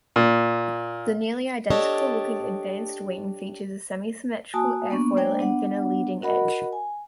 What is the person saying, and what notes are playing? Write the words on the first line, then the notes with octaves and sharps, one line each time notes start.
The nearly identical-looking "advanced" wing features a semi-symmetrical airfoil and thinner leading edge.
A#2
D4 G4 A4 C#5 D#5
A#3 F#4 G#5 A5 D#6
A#3 B3 D4 C#6
G#3 A#3 D4 C5 D5 G5
B3 D4 F#5
F#4 A#4 D#5 F#5 B5
G#5